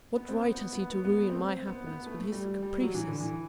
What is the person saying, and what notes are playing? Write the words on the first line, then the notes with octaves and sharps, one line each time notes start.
What right has he to ruin my happiness with his caprices?
B3
C4
B3
B3
B3
B3
B3
A3
C4
B3
B3
A3
A3
G3
G3
G3
F#3
E3
D3
E3